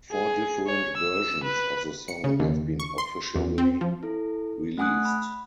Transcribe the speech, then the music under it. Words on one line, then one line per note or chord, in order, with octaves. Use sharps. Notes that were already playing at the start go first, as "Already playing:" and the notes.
Four different versions of the song have been officially released.
G#4
C#5
E6
B4
C#7
C#3
D#2
C#6
C6
E2
C4
F3
E4 A4
A3 F#5 G#5 D#6 F#6
B5